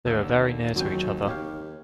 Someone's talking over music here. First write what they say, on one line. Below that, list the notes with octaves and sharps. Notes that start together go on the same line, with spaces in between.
They were very near to each other.
D#2 D3 A4
G#1 C#2 F#3 G5
D#2 G4 C#5 F5